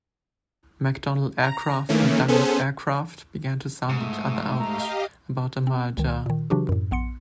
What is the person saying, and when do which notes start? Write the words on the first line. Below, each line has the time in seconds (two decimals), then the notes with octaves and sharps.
McDonnell Aircraft and Douglas Aircraft began to sound each other out about a merger.
1.43 A#5
1.89 D#3 E3 A3 A#3 C#4
2.28 B3 C#4 G#4 A4 C5
3.89 G#2 A3
4.59 G4 D#5 F5 A#5
5.67 C4
5.98 C#2 D#3
6.26 A#2 D#3
6.50 C#3 E3 F#3 D4 F#4 G4
6.69 F#2 A2
6.91 A#1 B3 C6 C#7